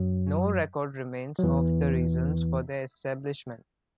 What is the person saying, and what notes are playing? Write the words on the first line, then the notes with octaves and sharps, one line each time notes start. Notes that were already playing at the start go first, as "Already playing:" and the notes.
No record remains of the reasons for their establishment.
Already playing: F#2 F#3
F#3
E2 E3